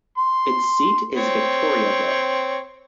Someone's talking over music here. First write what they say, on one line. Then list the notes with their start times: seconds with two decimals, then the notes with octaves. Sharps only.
Its seat is Victoriaville.
0.17 C6
1.16 C4 C#5